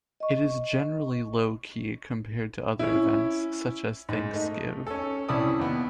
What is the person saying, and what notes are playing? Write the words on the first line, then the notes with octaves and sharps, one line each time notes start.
It is generally low-key compared to other events, such as Thanks-Give.
D#5 C#6
C#4 E4
G#2
A3 D#4
C#4 A4
C2 C#4 E4 D5 A5 D#6
D#2 B3